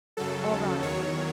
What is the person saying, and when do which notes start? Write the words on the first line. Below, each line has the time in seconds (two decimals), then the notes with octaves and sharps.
'All right.
0.17 F#2 C#3 F#3 A4
0.50 D#2 C#3 F#3
0.82 E2 D#3 F#3 C#5